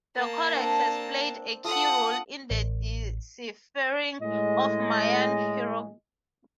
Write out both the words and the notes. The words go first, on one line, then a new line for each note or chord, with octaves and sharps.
The codex has played a key role in the deciphering of Mayan hieroglyphs.
A#3 A5
C4 D4
F4 A4 F#5 D#6
A1
A2 G#3 D#5